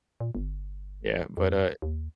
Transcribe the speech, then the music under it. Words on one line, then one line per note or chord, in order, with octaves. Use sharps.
yeah, but uh
A#2
G1
F2
D#2